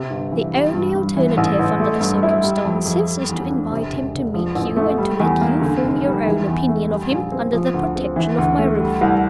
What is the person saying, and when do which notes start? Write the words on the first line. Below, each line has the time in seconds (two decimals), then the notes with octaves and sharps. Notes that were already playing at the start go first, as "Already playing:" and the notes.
The only alternative under the circumstances is to invite him to meet you, and to let you form your own opinion of him--under the protection of my roof.
Already playing: C3
0.10 G1
0.32 E3
0.53 G3
0.73 G2
0.95 G2
1.17 E3
1.37 A1
1.59 A1
1.79 A3
2.01 G2
2.23 E4
2.43 G3
2.65 F2
2.85 F2
3.08 G3
3.29 E2
3.50 D4
3.71 C3
3.92 E1
4.14 E1
4.34 F3
4.55 A1
4.77 A3
4.98 G3
5.20 E2
5.41 A#3
5.61 D3
5.83 F1
6.05 G3
6.26 E3
6.47 E2
6.69 A3
6.90 G3
7.11 A#1
7.32 C4
7.53 F3
7.74 D2
7.96 C4
8.16 E3
8.38 D2
8.59 A3
8.80 G3
9.01 C2